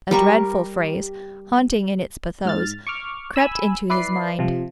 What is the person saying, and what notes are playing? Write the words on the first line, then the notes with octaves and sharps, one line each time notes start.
A dreadful phrase, haunting in its pathos, crept into his mind.
G3 A#4 C#6
G#2 F6 A6
C#6 D6 F6
G#5 B5 E6
E4 B4 D5 C7
C3 F3